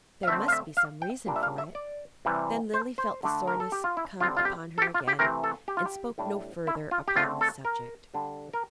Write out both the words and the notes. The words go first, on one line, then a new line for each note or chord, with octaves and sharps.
"There must be some reason for it." Then Lily felt the soreness come upon her again, and spoke no further upon the subject.
F5
D3 A3 C4 E5
F5
E5
F5
G5
A#2 G3 D4
E5
F5
E5
D5
C3 E3 G3
C5
C5
D3 A3 D4
A#4
A4
G4
F4
E4
D3 G3 C4 F4
F4
G4
A4
G4
F4
G4
C3 E3 A3 C4 A#4
A4
G4
F4
G4
A2 G3 D4
E4
F4
G4
D3 A3 C4 F4
A4
A#4
D3 G3 D4
A#4